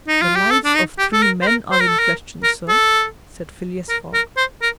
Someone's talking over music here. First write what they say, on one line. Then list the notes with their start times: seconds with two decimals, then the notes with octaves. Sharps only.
"The lives of three men are in question, sir," said Phileas Fogg.
0.08 D#4
0.22 F4
0.36 G4
0.50 A4
0.65 D4
0.75 D#4
0.98 G4
1.13 A4
1.23 A#4
1.42 C5
1.47 A#4
1.72 C5
1.81 A#4
1.90 A4
1.99 A#4
2.43 A#4
2.69 A4
3.89 A#4
4.14 A#4
4.37 C5
4.62 A#4